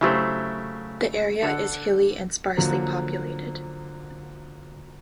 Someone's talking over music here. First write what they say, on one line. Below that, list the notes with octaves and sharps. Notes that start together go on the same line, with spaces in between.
The area is hilly and sparsely populated.
C#3 F#3 A3 E4 G4 C5
D3 A4 F#5
D3 F3 F#3 A#3